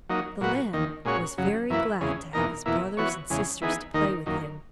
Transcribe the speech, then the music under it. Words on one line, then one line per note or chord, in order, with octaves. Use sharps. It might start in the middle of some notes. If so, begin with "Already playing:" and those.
The Lamb was very glad to have his brothers and sisters to play with him.
F#3 A#3 D#4
A#2 F#3 B3 F#4
D#2 D#3 A#3
A#2 G#3 C#4 F#4 C#5
F#2 C#3 F#3
F#2 E3 A#3 E4 B4
E2 C#3 G#3
E2 B2 A#3 D#4 A#4
E2 B2 A#3 E4
E3 B3 F#4 C#5
E2 C#3 G#3
E3 B3 D#4 G#4
D#2 D#3 A#3 D#4 A#4
F#2 D#3 A#3